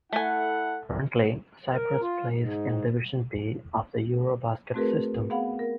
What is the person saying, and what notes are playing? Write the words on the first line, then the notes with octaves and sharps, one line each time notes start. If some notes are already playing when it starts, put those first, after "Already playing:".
Currently, Cyprus plays in Division B of the EuroBasket system.
A3 E4 A4 F#5 G#5
A#4
F4
G#2
A3 C4 F#4 G#4 A#4 B4
B3 G#4 F5 F#5 B5
A#4